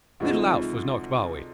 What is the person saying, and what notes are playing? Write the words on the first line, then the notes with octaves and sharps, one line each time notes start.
Little Alf was knocked bawways.
D2 C3 F3 G#3 D#4